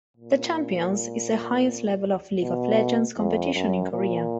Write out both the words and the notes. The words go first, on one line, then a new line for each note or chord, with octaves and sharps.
The Champions is the highest level of "League of Legends" competition in Korea.
A#2
B2
F2
F#2
A#2